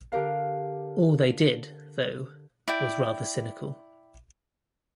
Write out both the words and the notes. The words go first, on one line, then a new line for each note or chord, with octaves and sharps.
All they did, though, was rather cynical.
D3 G4 A#4 F5
E4 D5 G5